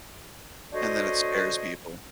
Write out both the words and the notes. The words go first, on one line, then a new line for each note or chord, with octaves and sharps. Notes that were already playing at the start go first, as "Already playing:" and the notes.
And then it scares people.
D4 F#4 A4 C5 C#5 D#5